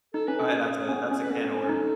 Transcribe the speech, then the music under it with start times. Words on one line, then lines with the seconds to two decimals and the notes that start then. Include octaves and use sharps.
alright, that's a that's a can of worms.
0.14 D#4 A4
0.27 C#4 B4
0.40 C#4 A4
0.54 G#4
0.89 C#4
0.92 B3
1.12 C#4
1.22 B4
1.30 B3 A4
1.44 C#4
1.57 C#4
1.69 D#4